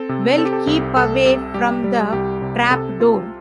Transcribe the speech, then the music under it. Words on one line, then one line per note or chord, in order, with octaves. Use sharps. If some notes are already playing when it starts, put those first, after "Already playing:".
Well keep away from the trapdoor!
Already playing: C4 A4
C3
C4 A4
G4
A4
C2
C2 A4
C3
G3 G4
G3
C2 G4
C3
C3 A4
F4